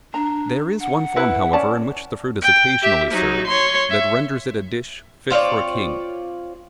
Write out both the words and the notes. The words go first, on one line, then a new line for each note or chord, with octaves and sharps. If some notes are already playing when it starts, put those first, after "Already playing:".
There is one form, however, in which the fruit is occasionally served, that renders it a dish fit for a king.
D4 A#5
F#5
E4 B4
C#4 D5 A5
G5
G4 E5
F#3 D#4
C#5 C6
E5
C4 F4 C#5 D5